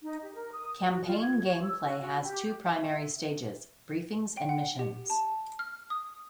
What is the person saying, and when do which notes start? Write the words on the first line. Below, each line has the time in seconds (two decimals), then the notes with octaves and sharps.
Campaign gameplay has two primary stages, briefings and missions.
0.03 D#4
0.21 G4
0.34 A#4
0.52 D#6
0.83 F#4
1.05 F4
1.18 G#6
1.43 C#5
1.62 E6
1.82 F#4
2.01 F#4
2.23 G4
2.66 E5
4.37 G5
4.49 F#5
4.79 G4
5.10 A5
5.59 F6
5.90 D#6